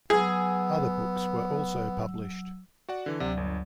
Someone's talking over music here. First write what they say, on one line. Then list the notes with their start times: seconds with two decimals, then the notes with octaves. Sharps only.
Other books were also published.
0.10 F#3 B3 G#4 E6
2.89 F#4 D5 F#5
3.06 D3 E3
3.20 D2 C3 F#3 D5
3.37 G1